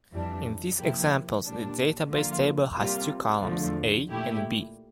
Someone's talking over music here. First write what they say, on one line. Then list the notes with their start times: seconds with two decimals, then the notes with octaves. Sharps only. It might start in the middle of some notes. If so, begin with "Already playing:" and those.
In these examples, the database table has two columns, A and B.
0.12 F2 E3 G3 D4
0.78 C3 F3 A#3 E4 G4
1.46 A#2 G3 D4
2.11 D3 F3 A#3 F4
2.77 C3 G3 A#3 F4
3.44 E2 D3 F3 A3
4.10 A#2 A3 E4 G4